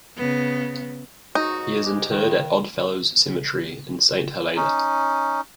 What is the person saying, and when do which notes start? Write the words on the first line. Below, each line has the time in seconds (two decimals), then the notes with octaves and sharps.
He is interred at Odd Fellows Cemetery in Saint Helena.
0.17 C#3 B3
1.35 C#2 G#2 D#4 F#4
1.84 G#2 G#3 G4
2.10 G2 D#3
4.56 C#4 D#4